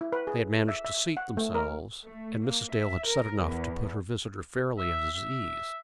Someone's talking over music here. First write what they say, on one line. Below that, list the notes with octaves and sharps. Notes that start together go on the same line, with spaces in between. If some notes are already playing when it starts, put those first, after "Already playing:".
They had managed to seat themselves, and Mrs. Dale had said enough to put her visitor fairly at his ease.
E4
B4
G#4
E5
E5
F#5
A3
A#4
A3
A#3
E5
A#4
E2
E5
E5